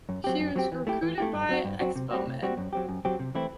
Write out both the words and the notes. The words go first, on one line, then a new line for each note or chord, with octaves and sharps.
She was recruited by Expomed.
F#2
F#3 C4 G4
F#2
F#3 C4 G4
E3
A3 E4 G4
E3
A3 E4 G4
G2
F#3 C4 F#4
G2
F#3 C4 F#4
C3
G3 C4 F#4
C3
G3 C4 F#4
F#2
F#3 C4 G4
F#2
F#3 C4 G4
C3
E3 A3 C4 E4